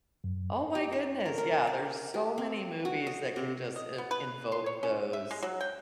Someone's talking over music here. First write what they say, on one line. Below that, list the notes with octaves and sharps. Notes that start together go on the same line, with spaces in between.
oh my goodness. Yeah, there's so many movies that can just i invoke those
F#2
G4
C#5
A#4
A#4
D5
G4
C4
F#4
D#5
C3
D#5
B3
B4
C6
C#5
C#4
E5
G#3
F#3
G5